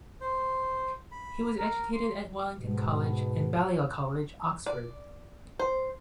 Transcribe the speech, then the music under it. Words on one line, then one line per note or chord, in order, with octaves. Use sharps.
He was educated at Wellington College and Balliol College, Oxford.
C5
B5
A#4
C6
G#2 B2
D5
C5